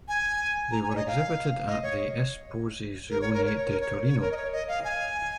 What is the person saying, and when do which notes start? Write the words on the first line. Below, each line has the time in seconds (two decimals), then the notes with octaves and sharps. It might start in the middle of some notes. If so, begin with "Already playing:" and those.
They were exhibited at the "Esposizione di Torino".
0.08 G#5
0.71 A#5
0.83 G#5
0.90 C#5
0.95 D#5
1.07 F5
1.67 D#5
1.83 C#5
3.10 A#4
3.21 C#5
3.33 A#4
3.45 C#5
3.57 C#5
3.69 A#4
3.81 C#5
4.05 C#5
4.21 A#4
4.32 D#5
4.37 C#5
4.52 D#5
4.68 F5
4.84 G#5